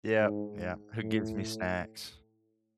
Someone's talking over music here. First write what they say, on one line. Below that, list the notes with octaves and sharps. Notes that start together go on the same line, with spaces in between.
Yep. Yep. "Who gives me snacks,"
G#2
A2